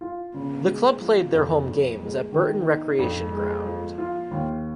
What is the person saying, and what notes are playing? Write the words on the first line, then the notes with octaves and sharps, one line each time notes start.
The club played their home games at Burton recreation ground.
F4
C#3
G#3
F3
F2
F2
G#3
D#3
D#4
F2
G#3
F3
F4
D#2